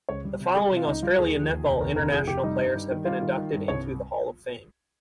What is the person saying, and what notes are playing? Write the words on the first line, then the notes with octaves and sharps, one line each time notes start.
The following Australian netball international players have been inducted into the Hall of Fame.
C#2 C#5
G3
C3
G3 G#4
C3
F4
C#2 D#4
G3 F4
D#2 G#4
F3
D#2
F1
D#2 A#4
F1 A#4
F3 G#4
F1 G4
G3 D#4
G2
G3
D#3
G3 F4
D#3
D#3
G2
C2 C#5